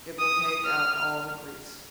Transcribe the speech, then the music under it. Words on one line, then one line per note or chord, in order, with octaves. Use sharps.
It will take out all the grease.
D#6
F6